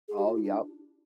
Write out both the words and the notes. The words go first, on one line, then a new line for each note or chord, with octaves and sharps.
Oh, yep.
G#4
G4
F4
E4
D4